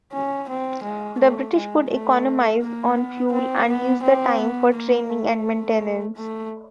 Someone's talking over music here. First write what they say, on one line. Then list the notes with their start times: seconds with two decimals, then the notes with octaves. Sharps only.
The British could economise on fuel and use the time for training and maintenance.
0.13 C#4
0.49 C4
0.83 G#3
1.19 A3
1.55 G#3
1.91 A3
2.61 A#3
2.96 B3
3.32 C4
3.68 B3
4.03 C4
4.38 B3
4.74 A#3
5.09 A3
6.16 A3